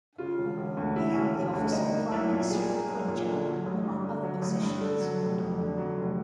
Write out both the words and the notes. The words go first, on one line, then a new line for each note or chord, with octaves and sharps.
He held the office of Prime Minister of the Punjab among other positions.
C#3 F4
E1
E1
D2
C#3 E4
E1
E1
D2
G3 D#4
A#3
B1 E4
A#2
G3 G#4
A#3
B1
A#2
D3
F#3
A1
G2
D3
F#3
A1
G2
D3 A4
F#3
F1
F2
D3
F#3
F1